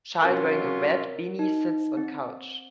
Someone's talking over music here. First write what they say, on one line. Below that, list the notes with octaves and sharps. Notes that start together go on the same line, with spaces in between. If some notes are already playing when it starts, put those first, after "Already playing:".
Child wearing red beanie sits on couch.
C3 F#3 C#4 F4 A#4
D#4
C4